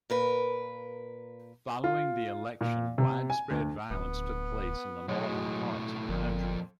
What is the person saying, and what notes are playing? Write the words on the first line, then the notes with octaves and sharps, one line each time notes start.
Following the election widespread violence took place in the northern parts of the country.
A#2 A#4 B4
F4
A#2
C3
G#5
D2
D1 B3
B1 A2 F#3 G#3
G1 F2 A#2